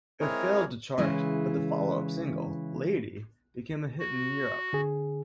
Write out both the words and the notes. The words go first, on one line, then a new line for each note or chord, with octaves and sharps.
It failed to chart, but the follow-up single, "Lady" became a hit in Europe.
G#3 C4 E4 G#4 A#4 C#5
C#3 E3 G#3 E4
F#4
D3 G#4